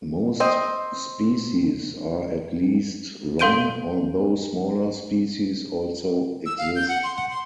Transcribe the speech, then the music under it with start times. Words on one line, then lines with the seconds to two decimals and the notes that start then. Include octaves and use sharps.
Most species are at least long, although smaller species also exist.
0.40 C4 C5 D#5
3.39 A4 F5 C6 G6 D7 D#7
6.46 E6
6.58 F5
6.76 G6
6.88 F#5
7.03 C6
7.16 F#5
7.30 C6